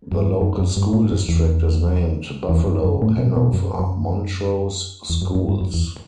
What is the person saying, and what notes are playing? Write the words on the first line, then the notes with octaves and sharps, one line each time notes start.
The local school district is named Buffalo-Hanover-Montrose Schools.
F#2
G2
F#2
F#2
G2
A2
F#2
E2
E2
F#2
F#2
A2
B2
B2
F#2
F#2
E2
F#2
F#2
G2
F#2
E2